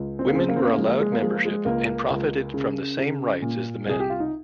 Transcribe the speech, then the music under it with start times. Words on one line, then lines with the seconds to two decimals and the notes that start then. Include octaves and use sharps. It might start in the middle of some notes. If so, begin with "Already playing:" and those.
Women were allowed membership and profited from the same rights as the men.
Already playing: C#2
0.19 C4
0.26 A#3
0.33 C#3 C4
0.49 A#3
0.56 C4
0.64 A#3
0.77 F3 G#3
0.89 A#3
1.00 G#3
1.12 A#3
1.22 F3 G#3
1.34 A#3
1.45 G#3
1.65 C#2 A#3
2.10 C#2
2.54 C#3
2.98 C#3
3.42 A#2
3.86 C2 G#4
4.00 G4
4.10 F4
4.20 D#4